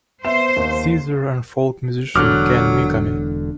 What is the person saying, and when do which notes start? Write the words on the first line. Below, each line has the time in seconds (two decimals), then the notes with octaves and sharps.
Seazer and folk musician Kan Mikami.
0.25 B3 C5 E5 E7
0.57 D#2
2.15 E1 D3 F#3 D6 F6 F#6